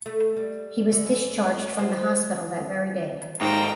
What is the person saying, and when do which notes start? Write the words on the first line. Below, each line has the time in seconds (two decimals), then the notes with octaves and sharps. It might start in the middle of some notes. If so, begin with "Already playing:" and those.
He was discharged from the hospital that very day.
0.06 A3
0.37 G3
0.92 D3
1.05 F#2
1.79 C5
3.41 D#2 G#2 D#3 C5 F5 G5 A#5